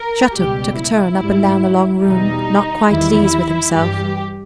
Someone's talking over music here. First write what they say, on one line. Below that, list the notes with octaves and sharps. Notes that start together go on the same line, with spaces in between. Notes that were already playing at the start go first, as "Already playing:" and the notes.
Shattuck took a turn up and down the long room, not quite at ease with himself.
Already playing: A#4
C#2 B2 G3 G4
E4
G#2 G3
E2 B2 G3 D#4
E2 D#3 G3 E4
G2 E3 G3 G4